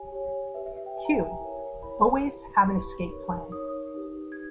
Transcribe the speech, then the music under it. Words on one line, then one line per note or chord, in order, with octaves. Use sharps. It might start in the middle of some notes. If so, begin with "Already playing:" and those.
"Q: "Always have an escape plan.
Already playing: G4 C#5 G#5
G4 C#5
G4 B4 E5
E5
E5
G5
G4 B4 G#5 A#5
G#5
E4 A#4 C#5
E4 A#4 C#5 B5
E4 G4 B4
B5
E4 G4 B4 C#6
D#4 A#4 C#5
D#4 A#4 C#5 D#6
D#4 G4 B4
G#6